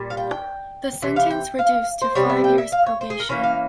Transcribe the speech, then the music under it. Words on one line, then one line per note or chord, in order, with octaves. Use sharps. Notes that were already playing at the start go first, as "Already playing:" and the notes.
The sentence reduced to five years probation.
Already playing: A#2 G3
F5
G5
G5
C3 E3
F5
G5
F5
C5
C3 G3 C4 C#5
E5
G5
E5
F5
C#5
C5
G#4
A#4
E3 A#3 C#4 C#5
F5